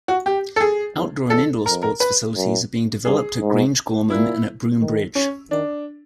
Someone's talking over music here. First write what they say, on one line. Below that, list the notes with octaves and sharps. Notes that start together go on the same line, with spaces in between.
Outdoor and indoor sports facilities are being developed at Grangegorman and at Broom Bridge.
F#4
G4
A4
G#4
E2
E2 A4
F2 A#4
A#4
B4
F#2
G2 G#4
G#2
A#2 E4
D#3
C#4
D#3 D4